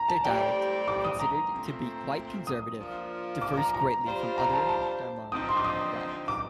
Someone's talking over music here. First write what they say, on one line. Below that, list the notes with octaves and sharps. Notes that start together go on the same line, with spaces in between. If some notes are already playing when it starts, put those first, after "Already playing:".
Their dialect, considered to be quite conservative, differs greatly from other Damara dialects.
Already playing: A#5
A5
A2 G3 C4 G4 D5 G5
D6
D#6
A#5
A#2 A3 C4
D#6
F3 A#3 D4 F4
D6
A#5
A#5
G3 D4 F4 C5
A#5
A5
A5
D3 F3 C4 D#4 D#6
C6
D6
D#6
D6